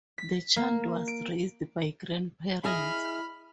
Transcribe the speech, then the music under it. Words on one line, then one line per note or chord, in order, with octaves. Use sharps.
The child was raised by grandparents.
B6
A#3
D7
E4 G#4 D#5 B5 F6